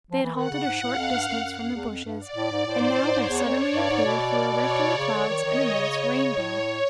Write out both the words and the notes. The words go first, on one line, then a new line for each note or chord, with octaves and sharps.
They had halted a short distance from the bushes and now there suddenly appeared through a rift in the clouds an immense Rainbow.
F3
E3
D#3 F#5
C#3
G#2
A2 F5
F2
G2
F#2
F#2
F#2
E2
F2
G2
D5
A2
G#2
A2 C5
G#2
A2
A2
G#2 C#5
E2
F2
D5
G2
G#2
B2 D5
C#5
C#3
D3
D#3
D#3 D#5
D#3
C#3
C#5
A2